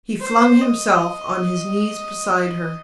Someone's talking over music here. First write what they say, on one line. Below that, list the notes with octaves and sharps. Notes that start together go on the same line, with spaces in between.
He flung himself on his knees beside her.
C5
D#5